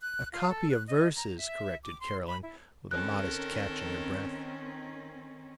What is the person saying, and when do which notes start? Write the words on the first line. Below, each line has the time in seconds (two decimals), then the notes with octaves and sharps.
"A copy of verses," corrected Carolyn, with a modest catch in her breath.
0.01 F#6
0.31 F4
0.49 A4
0.70 F#6
0.87 D#5
1.17 A#5
1.38 E5
1.83 D6
2.00 C6
2.27 B5
2.43 E4
2.91 D#3 C4 C#4 A4 A#4 F#6